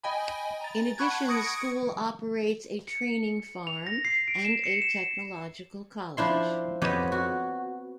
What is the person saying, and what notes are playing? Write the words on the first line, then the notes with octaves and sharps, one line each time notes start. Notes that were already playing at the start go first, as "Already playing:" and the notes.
In addition, the school operates a training farm and a technological college.
D#5 G5 G#5 B5
A#5 A6
F#5 A5 B5 C#6 F#6 G#6
C#6 D#6 G#6 A#6 C#7 D7
C#7
F7
A#6
C7
D7
E7
C#7
E7
F3 D4 E4 C6
F2 B3 G4 C#5 D#5
F#4